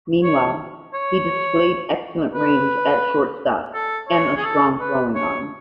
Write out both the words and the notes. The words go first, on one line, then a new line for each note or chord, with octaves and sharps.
Meanwhile, he displayed excellent range at shortstop and a strong throwing arm.
C#5
C#5
B4
A4
C#5
G#4
A4
B4
C#5